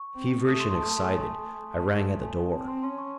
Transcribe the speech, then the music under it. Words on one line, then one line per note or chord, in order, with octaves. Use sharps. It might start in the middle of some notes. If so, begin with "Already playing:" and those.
Feverish and excited, I rang at the door.
Already playing: C#6
C4
A3 D#6
C6
C6
A5
A5
G#5
A5
A3
A5
G#5
C4 A5
C6
C#4 C6
C#6